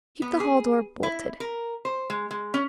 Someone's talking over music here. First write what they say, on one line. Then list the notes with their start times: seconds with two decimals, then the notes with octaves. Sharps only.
'Keep the hall-door bolted.
0.22 B3
0.40 G#4
1.03 E4
1.40 A#4
1.85 C5
2.10 G#3
2.31 G#3
2.54 C#4